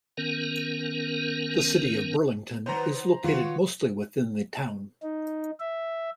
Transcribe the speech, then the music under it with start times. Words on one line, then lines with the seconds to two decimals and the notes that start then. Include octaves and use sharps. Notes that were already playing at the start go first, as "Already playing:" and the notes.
The City of Burlington is located mostly within the town.
0.17 D#3 B3 C#4 A#4
2.66 D#3 F#3 B3 C5 A#5
3.24 D#3 B3 F4 F#4 C#5
5.03 D#4
5.60 E5